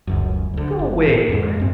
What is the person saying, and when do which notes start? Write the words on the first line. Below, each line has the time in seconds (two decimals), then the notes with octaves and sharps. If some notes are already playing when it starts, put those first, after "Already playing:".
Go 'way, man!
0.07 D#1 C#2 F#2
0.54 D2 D3
0.79 G1
1.06 A#2 D#3
1.29 F2 G#2
1.60 F#2 C4